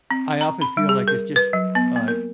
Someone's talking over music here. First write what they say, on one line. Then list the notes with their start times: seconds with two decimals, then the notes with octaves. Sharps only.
I often feel like it's just, uh,
0.11 C4
0.41 A#5
0.61 B5
0.77 G3
0.89 G#4
1.08 A#4
1.36 B4
1.53 F#3
1.75 B3
1.96 A#3
2.08 A#4